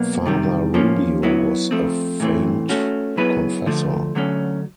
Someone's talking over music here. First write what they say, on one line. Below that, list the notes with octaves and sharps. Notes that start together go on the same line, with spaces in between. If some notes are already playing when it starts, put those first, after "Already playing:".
Father Rubio was a famed confessor.
Already playing: B2 F#3 A#3
C3 D#3 G3
F3 A#3 C#4
F#3 B3 E4
F3 A3 C4
A2 E3 A3 C4
A3 C#4 F#4
F#3 B3 E4 G#4 B4
D3 F3 A3
D3 F#3 A3 C#4